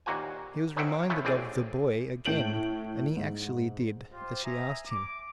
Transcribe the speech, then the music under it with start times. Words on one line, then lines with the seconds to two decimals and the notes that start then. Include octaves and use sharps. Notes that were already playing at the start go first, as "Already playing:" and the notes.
He was reminded of "the boy" again, and he actually did as she asked him.
0.06 D#2 A#2 A#3 F#4 C5 G#5
0.76 C#4 D#4 C5 E5 F#5 G5
1.10 F3 A3 B3 C#4 E4
1.25 A1 C4 G#4 D5 G#5
2.26 A2 G6 D7 F#7
3.17 G#2
4.12 F4 G4 C5
4.44 E5 G#5 A#5 D#6
4.88 D6